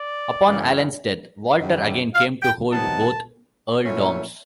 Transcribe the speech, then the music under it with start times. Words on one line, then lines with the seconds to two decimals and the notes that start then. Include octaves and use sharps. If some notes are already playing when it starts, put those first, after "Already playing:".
Upon Allan's death, Walter again came to hold both earldoms.
Already playing: D5
0.46 F#2 C#3 E3
1.58 F#2 D#3 G3
2.15 F5
2.42 G5
2.70 C3 D#3 F#3 B3 D#4 A5
3.83 A#2 F#3 A3 C#4 E4